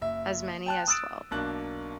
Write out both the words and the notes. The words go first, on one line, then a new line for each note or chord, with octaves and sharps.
As many as twelve.
F#1 E5
G5 A5 F#6
D#6 E6 F#6 A6 D7 E7
B1 A#3 D4 F#6